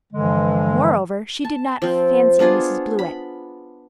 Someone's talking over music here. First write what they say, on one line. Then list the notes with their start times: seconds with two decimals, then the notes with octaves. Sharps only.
More-over, she did not fancy Mrs. Blewett.
0.13 G2 D3 E3 F3 G#3
1.45 A5
1.82 F3 C4
2.39 B3 D4 F4 G#4
2.99 B5